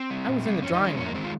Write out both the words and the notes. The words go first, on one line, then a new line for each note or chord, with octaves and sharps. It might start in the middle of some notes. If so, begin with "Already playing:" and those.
"I was in the drawing-room."
Already playing: C4
G3
A#2
G3
F2 C#4
D#4
D#3 G#3 C#4
F2 C#4
A#3
D#3 G#3 C4
F4